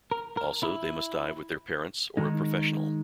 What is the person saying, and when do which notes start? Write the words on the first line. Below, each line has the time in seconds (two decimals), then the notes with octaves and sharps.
Also they must dive with their parents or a professional.
0.11 A#4
0.37 A#4
0.63 E4
2.17 D#3 G#3 D#4